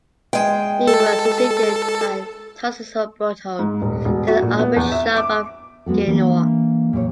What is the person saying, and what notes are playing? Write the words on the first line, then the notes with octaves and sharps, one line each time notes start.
He was succeeded by Tarcisio Bertone, then Archbishop of Genoa.
G#3 G5
A4
G#2
D#1
E1
F#4
A#2
B3
E2
E5
D6
G#3 B3 F#4 A4
E3 A#3 D4
A#2 G3 B4 C#5